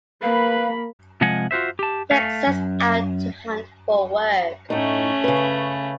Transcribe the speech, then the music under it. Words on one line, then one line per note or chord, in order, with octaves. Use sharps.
Tex sets out to hunt for work.
A#3 B4 F5 B5
C3 F3 G#3 D#5 F#5 G#5
F4 F#4 C5 E5
G4 A5
A3 F5
F#2
A2 A3 C#4 D#4
C#3 B4